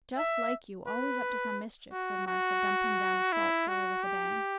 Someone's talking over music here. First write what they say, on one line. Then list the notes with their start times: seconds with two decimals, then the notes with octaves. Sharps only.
'Just like you - always up to some mischief,' said Martha, dumping down a salt-cellar with a bang.
0.17 E5
0.87 B4
1.92 F#4
2.27 F#4
3.32 E4
3.68 F#4
4.04 G4